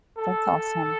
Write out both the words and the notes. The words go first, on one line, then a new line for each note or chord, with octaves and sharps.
That's awesome.
A4